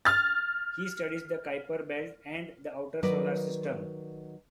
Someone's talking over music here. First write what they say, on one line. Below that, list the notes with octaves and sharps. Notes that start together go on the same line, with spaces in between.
He studies the Kuiper belt and the outer Solar System.
F6 A6
D#3 F#3 B4 D5 D#5